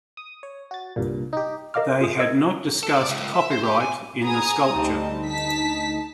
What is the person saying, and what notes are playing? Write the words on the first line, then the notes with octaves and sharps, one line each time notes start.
They had not discussed copyright in the sculpture.
D#6
C#5
F#4 A6
C2 G2 A#2
D#4 G4
A#4 D#5 F5 D6 F6
F4 G#4
A#4 D#5 E6 G#6
A4
D5
C#2
C#2
E5
C5
G4
G#5
B3 G#4 G#5 A#5 D#6
D2 G3 C4 D#4 A5
A5 B6